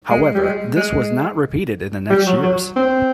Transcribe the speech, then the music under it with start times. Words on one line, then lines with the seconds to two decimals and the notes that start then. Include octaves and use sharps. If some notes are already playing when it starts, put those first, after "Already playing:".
However, this was not repeated in the next years.
0.10 G#3
0.35 G3
0.43 G#3
0.76 G#3
2.10 G3
2.27 F#3
2.43 F#3
2.76 C4